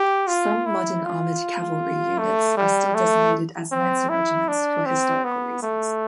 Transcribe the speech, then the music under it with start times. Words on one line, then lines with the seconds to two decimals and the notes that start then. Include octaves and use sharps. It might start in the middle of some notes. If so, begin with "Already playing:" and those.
Some modern armored cavalry units are still designated as lancer regiments for historical reasons.
Already playing: G4
0.28 F4
0.66 E4
1.04 F4
2.18 A3
2.57 G3
2.95 A3
3.71 C4
4.09 E4
4.48 D4
4.86 C4
5.24 B3
5.62 A3